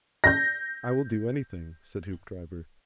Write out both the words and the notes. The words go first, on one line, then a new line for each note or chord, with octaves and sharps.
"I will do anything," said Hoopdriver.
G6 A#6